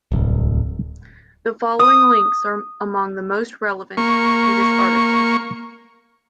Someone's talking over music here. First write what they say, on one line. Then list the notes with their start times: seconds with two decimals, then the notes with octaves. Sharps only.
The following links are among the most relevant to this article.
0.12 D1 C2
1.79 D#6
3.97 A#3 C#6